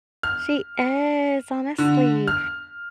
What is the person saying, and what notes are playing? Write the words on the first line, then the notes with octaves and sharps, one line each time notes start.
She is, honestly.
F6
D3
F6